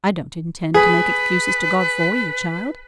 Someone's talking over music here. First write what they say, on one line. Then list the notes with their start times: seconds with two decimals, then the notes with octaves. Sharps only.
I don't intend to make excuses to God for you, child.
0.74 G#4 B4